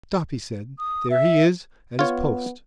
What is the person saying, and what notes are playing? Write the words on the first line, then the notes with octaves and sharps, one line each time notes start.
"Stop!" he said, "there he is at his post."
D#6
E5
B3 F4 C#5